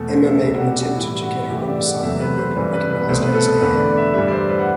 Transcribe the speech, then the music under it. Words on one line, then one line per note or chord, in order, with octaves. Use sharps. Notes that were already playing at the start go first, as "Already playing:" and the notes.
Emma made an attempt to get her oldest son, Edward, recognized as heir.
Already playing: E2 B2 A3 A4
C5
E5
C2 B2 G3 E5
F#4
G4
F#4
A2 E3 G3 E4
F#4
G2 E3 A3 G4
E5
D5
F#5
E2 C3 F#3 A3 E5
B4
C5
G2 E3 G3 B4
B4
B4
C2 B2 A3 C5
B4
A4
A4
E2 D3 A3 B4
D5
E5
G2 E3 G3 E5
D5
C5
B4
F#5